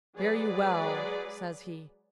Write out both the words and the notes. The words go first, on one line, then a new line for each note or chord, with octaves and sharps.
"Fare you well," says he.
F#3 G#3 G#4 B4 D5